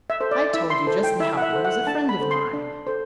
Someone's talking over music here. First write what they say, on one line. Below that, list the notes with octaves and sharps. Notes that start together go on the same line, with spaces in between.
"I told you just now that he was a friend of mine."
E5
A4 C5
D5
E4 E5
C6
A4 C5
G5
E4 E5
F#5
E5
A4 C5
F#5
D4 A5
B5
A4 C5
C6
D4
A4 C5